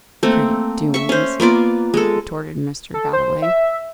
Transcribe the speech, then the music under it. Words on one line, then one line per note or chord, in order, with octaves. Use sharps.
"Pretty doings!" retorted Mr. Galloway.
A3 A#3 C4
E5 C#6
C#4 C5
A#3 B3 F4 D5
G#3 A4
A4
C5
E5